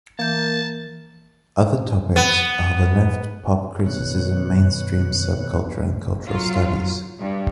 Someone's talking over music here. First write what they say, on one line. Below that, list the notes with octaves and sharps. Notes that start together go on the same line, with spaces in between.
Other topics are the left, pop, criticism, mainstream, subculture and cultural studies.
E3 A#3 A5 G6
B3
B2 D#3 B3 C#5 F#6
F#3 F4
G2